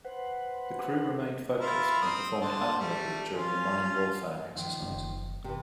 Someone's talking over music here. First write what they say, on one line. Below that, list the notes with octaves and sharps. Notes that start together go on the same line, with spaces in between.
The crew remained focussed and performed admirably during the Mine Warfare Exercise.
B4 C5 F#5
E4 F4 A#4
C4 D#6
D3 C5 A5
G3 A3
C#4 F4
D#3 F3
F#1
C3 E3